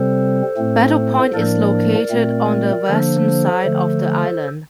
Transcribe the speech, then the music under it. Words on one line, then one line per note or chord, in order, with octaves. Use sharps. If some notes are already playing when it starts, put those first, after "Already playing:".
Battle Point is located on the western side of the island.
Already playing: C3 G3 C4 A4 C5
A2 A3 C4
A2 F3 A#3 D4 A#4 D5
A#2 A3 C4
D3 F3 A#3 D4 A4 C5
D3 F3 A3